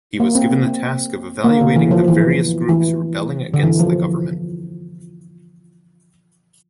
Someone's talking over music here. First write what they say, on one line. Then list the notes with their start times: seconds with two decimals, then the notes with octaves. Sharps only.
He was given the task of evaluating the various groups rebelling against the government.
0.20 A#3
0.35 C4
0.51 C4
0.67 C4
1.44 A#3
1.61 D3
1.76 E3
1.91 F3
2.08 E3
2.69 E3
3.54 D3
3.63 E3
3.79 F3